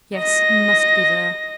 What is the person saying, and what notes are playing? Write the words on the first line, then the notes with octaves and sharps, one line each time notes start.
Yes, he must be there.
D#5 A#6